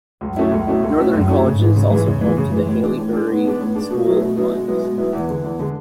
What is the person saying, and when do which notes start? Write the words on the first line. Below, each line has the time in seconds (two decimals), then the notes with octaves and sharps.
Northern College is also home to the Haileybury School of Mines.
0.21 C#2 F#2
0.36 B2 A3 C#4 E4
0.52 C#2
0.67 B2 A3 C#4 E4
0.83 C#2
0.98 B2 A3 C#4 E4
1.13 C#2 F#2
1.29 B2 A3 C#4 E4
1.44 G#2 C#3
1.60 E3 G#3
1.75 C#3
1.90 E3 G#3
2.06 E2 C#3
2.21 E3 G#3
2.37 F#2 C#3
2.52 E3 G#3
2.67 A2 E3
2.83 G#3 D4
2.98 A2
3.13 G#3 D4
3.28 A2 B3
3.44 G#3 D4
3.60 A2
3.74 G#3 D4
3.90 B2 A3
4.05 F#3 B3 E4
4.21 B2
4.36 F#3 B3 E4
4.51 B2 G#3
4.66 F#3 B3 E4
4.82 B2
4.98 F#3 B3 E4
5.13 E2 E3
5.29 D3 G#3
5.44 E2
5.59 D3 G#3